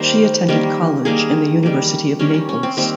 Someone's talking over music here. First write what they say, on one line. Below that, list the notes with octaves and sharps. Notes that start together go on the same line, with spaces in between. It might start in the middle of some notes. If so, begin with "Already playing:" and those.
She attended college in the University of Naples.
Already playing: D#3 G3 A#3 C5
D#3 G3 A#3
D#3 G3 A#3 G#4
D#3 G3 A#3
D#3 G3 A#3 C#4
C#4
C#4
C4
D#3 G3 A#3 C4